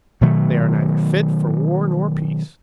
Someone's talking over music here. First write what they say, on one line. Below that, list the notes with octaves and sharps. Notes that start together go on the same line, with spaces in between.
They are neither fit for war nor peace!
B2 D#3 F#3 A3